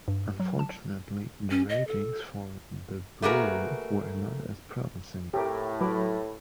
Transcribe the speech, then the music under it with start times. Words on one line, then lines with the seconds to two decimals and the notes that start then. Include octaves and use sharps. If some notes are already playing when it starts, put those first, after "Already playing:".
Unfortunately, the ratings for "The Brew" were not as promising.
0.08 G2
0.40 F#3
0.59 A5
1.51 C#4
1.69 D#5
1.87 A4
3.22 A3 A#3 F#4 G#4 A#4 B4
5.34 A2 G4 A#4
5.81 F#3 B4 B5 D6